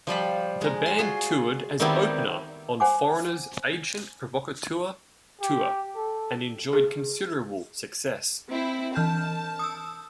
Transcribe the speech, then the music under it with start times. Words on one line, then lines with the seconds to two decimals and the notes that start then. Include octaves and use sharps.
The band toured as opener on Foreigner's "Agent Provocateur" Tour, and enjoyed considerable success.
0.07 F3 G3 F4 B5
0.61 G#3 A#5
0.86 C6
0.99 F4 F#4 G#4
1.80 D#3 G3 B3 C4 E4 G4
2.80 C5 F#5 G#5 D6
5.41 G4
5.96 A4
6.73 G#4
8.50 C4 E4
8.96 E3 A5 F6 G6
9.59 D#6 E6